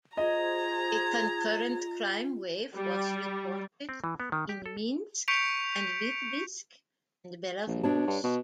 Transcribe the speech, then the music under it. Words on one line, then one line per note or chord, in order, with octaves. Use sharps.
A concurrent crime wave was reported in Minsk and Vitebsk, Belarus.
F4 G#4 C5 D#5 A#5 G#6
G3
C4
E3
B3
D#3
G4
A4
C#6 G6 B6 C#7 D7 F7
A#1
B2 D4 C#5 A5
G2
B2